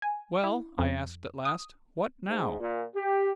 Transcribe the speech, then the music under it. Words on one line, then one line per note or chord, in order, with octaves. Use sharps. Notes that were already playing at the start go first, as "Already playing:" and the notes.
"Well," I asked, at last, "what now?"
G#5
E4
F2
D#6
G#2
A#2
G4